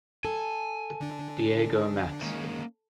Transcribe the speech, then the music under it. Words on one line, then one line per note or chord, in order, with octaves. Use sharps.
Diego Mat.
A4 G#5
D3 D4
D#3 G#3 A#3 C#4